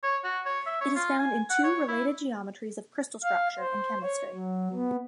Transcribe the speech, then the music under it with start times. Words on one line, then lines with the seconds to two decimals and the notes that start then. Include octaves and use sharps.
It is found in two related geometries of crystal structure in chemistry.
0.03 C#5
0.24 F#4
0.46 C#5
0.66 E5
0.81 C#5
0.96 F4
1.19 G#5
1.50 F#5
1.64 C#5
1.88 E4
3.23 F5
3.59 C5
4.02 C#5
4.33 F#3
4.73 B3